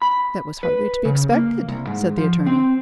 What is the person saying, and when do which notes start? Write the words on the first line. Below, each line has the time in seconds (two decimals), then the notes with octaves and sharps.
"That was hardly to be expected," said the attorney.
0.02 B5
0.63 B4
1.05 C#3
1.32 A#3
1.68 C2
1.87 G#2
2.18 F3
2.46 C4